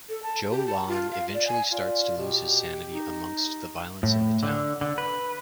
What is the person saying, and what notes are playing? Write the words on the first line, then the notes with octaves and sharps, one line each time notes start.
Joe Lon eventually starts to lose his sanity amongst the violence in the town.
A4
A5
G4
A5
F4
F5
D5
G#5
F4 D5
B2 G4
D#4
A2
D3
D3
B4